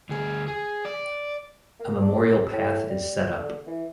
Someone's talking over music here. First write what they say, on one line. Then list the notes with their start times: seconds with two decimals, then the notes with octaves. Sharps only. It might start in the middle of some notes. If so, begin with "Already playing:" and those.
A memorial path is set up.
0.09 D2 G#4
0.48 G#4
0.85 D5
1.80 A#3
2.01 D4
2.20 F#2
2.52 A2
2.89 G3
3.37 D3
3.67 E3